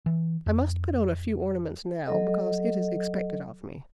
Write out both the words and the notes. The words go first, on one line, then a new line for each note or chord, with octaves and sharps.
I must put on a few ornaments now, because it is expected of me.
E3
F2
F#3 A4 D#5